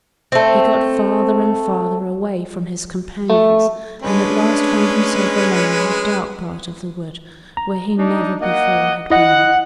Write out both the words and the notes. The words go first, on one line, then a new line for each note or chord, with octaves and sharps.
He got farther and farther away from his companions, and at last found himself alone in a dark part of the wood where he never before had been.
A3 C4
A3
G#3 A3 C#4 D4 B4
A#5
D4 D#4
A#3 D#5 F#5
E4 D#5 F#5